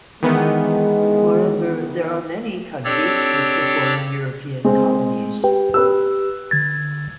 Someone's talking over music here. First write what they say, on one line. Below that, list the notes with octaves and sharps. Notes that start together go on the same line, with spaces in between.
Moreover, there are many countries which were former European colonies.
D#3 E3 G#3 B3
C4 D4 G4 A4 C#5 D5
G#3 C4
G4 B4 G5
G4 B4 E6
D3 G#6 A6